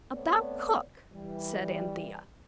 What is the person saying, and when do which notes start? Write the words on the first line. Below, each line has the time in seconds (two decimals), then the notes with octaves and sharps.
'About cook,' said Anthea.
0.13 A3 B3 C4 C#5 D5
1.13 E3 G3